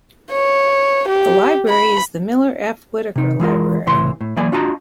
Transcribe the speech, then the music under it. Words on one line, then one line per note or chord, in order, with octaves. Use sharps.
The library is the Miller F. Whittaker Library.
C#5
G4
B5
C3 D#4
E3 G#3 F4 A#4
C2 A2 C#3 E3 C6
A2
E3 F#3 A#3 D5 G#5
D4 F4 F#4 D#5 A5 A#5